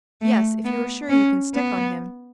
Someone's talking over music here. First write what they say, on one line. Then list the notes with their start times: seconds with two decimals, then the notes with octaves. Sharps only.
"Yes, if you are sure you can stick on him."
0.22 A3
0.65 B3
1.09 C#4
1.55 B3